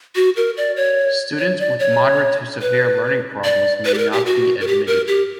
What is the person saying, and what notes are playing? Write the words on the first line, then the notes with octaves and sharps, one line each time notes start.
Students with moderate to severe learning problems may not be admitted.
F#4
A#4
D5
C#5
C#5
D5
C#5
B4
D5
B4
G4
A#4
G4
F#4
A#4
G4
A#4
G4